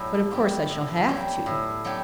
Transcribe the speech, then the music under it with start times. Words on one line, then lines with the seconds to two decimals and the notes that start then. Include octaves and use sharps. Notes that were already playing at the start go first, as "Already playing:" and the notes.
But, of course, I shall have to.
Already playing: A2 F#3 B3 D4 G4
0.31 F#3 B3 D4 G4
0.69 A2
1.08 F#3 B3 D4 G4
1.46 A2
1.85 F#3 B3 D4 G4